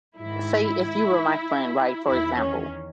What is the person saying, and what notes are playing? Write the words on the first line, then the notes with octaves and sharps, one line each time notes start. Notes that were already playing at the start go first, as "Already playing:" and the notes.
say if you were my friend, right, for example,
G#2 D#3 E4
E2 D#3 E4
C#4